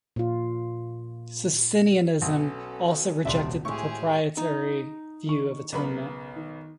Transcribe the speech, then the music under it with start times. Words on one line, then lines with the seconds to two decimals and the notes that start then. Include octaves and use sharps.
Socinianism also rejected the propitiatory view of atonement.
0.16 A#2 F4
2.22 B1 B2 C#4 A4 G#5
3.25 D#1 C2 D5 E5 C6
3.65 A2 G#3 G4 G#4 C#5 C#6
4.37 D#4
5.26 D#3 D4 C#6
5.72 B1 C#3 B3 A#4 B5
6.36 D#3